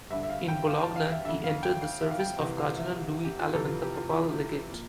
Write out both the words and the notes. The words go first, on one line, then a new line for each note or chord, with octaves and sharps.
In Bologna, he entered the service of Cardinal Louis Aleman, the papal legate.
G2 D3 E5
E5
F5
G5
F5
A5
F5
E5
F2 D3 E5
F5
G5
F5
E5
F5
G5
C2 C3 E3
F5
E5
G4
F4
F2 C3 E3 A4
F4
G4
F4
E4
A#2